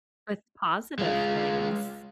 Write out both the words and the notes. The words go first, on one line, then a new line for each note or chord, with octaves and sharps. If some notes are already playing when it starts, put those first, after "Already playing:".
With positive things.
G#3 F4